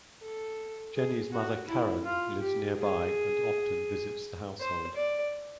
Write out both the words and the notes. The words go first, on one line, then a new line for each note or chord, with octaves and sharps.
Jenny's mother Karen lives nearby and often visits the household.
A4
G#4
F#4
E4
F4
G4
G#4
C5
D5